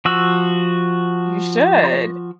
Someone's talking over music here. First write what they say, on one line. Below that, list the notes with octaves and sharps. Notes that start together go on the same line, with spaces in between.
You should.
F3 F#4 E6